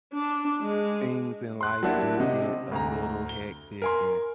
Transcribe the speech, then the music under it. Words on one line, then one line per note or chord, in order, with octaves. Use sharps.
things in life do get a little hectic and
D4
G#3
C6 F#6
F#3 A#3 D4 E4 F#4 G4
C3 D#5
D2 A#5
G7
A#4 G#5 C6